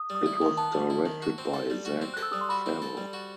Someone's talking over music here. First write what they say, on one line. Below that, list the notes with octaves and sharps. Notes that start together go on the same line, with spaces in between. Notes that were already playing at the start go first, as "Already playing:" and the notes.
It was directed by Zac Farro.
Already playing: D#6
G3
D#6
E4
D#3 D#6
B3 A5
G3
E4
D#3
F#4
C4
A4
G3
F#4
C4
A4 F#6
E6
G3 D#6
C6
F#4 B5
C4
A4
G3
F#4